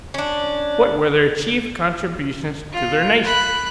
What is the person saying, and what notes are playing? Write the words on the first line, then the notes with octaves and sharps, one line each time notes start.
What were their chief contributions to their nation?
C#4 D4
F4
B5 F#6